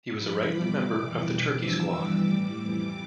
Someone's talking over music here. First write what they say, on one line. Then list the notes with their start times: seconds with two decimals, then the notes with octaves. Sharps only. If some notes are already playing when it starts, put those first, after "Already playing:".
He was a regular member of the Turkey squad.
0.18 G2 F3 B5
0.52 E2 B2 G3 D6
0.86 F2 C3 E3
1.21 B2 G3
1.57 E2 D3 F3 E6
1.92 G2 E3 G3 D6
2.25 A2 G3
2.61 F2 E3 G3